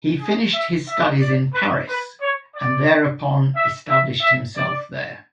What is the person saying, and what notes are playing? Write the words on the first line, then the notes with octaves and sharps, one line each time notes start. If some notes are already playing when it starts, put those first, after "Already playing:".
He finished his studies in Paris and thereupon established himself there.
G#4
E5
E5
D5
B4
B4
C#5
D5
E5
E5
E5
D5